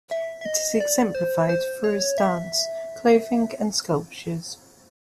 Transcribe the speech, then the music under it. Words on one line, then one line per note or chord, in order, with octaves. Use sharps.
It is exemplified through its dance, clothing, and sculptures.
E5
E5
D#5
D5
C5
C5
C#5
E5